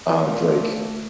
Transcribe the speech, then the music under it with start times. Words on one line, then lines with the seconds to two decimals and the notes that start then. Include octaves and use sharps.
um, like
0.22 A#2 A3